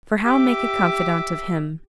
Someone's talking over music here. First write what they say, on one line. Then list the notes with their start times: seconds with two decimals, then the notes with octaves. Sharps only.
For how make a confidant of him?
0.24 G4 E5 D6